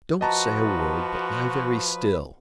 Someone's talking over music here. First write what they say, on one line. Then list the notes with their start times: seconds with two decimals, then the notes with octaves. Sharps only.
"Don't say a word, but lie very still."
0.21 F3 F#4 B4 D#5 A5 A#5